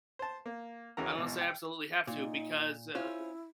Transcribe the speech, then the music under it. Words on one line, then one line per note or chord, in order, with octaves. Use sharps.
unless I absolutely have to, because, uh
C5 A5
A#3
D#2 C#3 E3 F#4 A#4 A#5
G#1 B2 E3
G5
A#2 D#4
C#4 E4 F4 C5